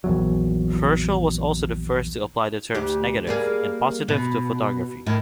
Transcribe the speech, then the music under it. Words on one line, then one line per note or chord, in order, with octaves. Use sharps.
Herschel was also the first to apply the terms "negative" and "positive" to photography.
A#1 E2 F#3
D2 G4
G3 A#3 G#4
B2
A2 D#3